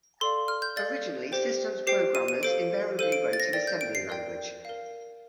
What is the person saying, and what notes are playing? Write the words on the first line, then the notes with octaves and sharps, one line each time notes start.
Originally systems programmers invariably wrote in assembly language.
A4 D5 F5 C6
F6
G6
A4 D5 F5 A6
G4 C5 G5
G4 C5 G5 C7
D#7
D#7
A4 C5 F5 D7
A4 C5 F5 D#7
D7
A6
A#6
A#4 D5 G5 A6
G6
D7
C7
A#4 D5 G5
A#4 F5